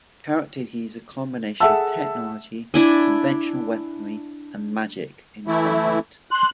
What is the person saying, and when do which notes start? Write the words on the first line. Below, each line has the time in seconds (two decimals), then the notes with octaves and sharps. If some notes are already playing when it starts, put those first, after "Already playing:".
Characters use a combination of technology, conventional weaponry and magic in combat.
1.60 G#4 A4 E5 F#5 A5 E6
2.74 D4 E4 G#5
5.47 E3 A3 E4
6.31 C6 F#6